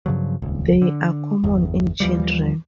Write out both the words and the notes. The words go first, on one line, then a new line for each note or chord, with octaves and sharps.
They are common in children.
G2 C#3 F3 F#3
D#1 C#2
D3
G1 E2
D#2 E3 F3 G3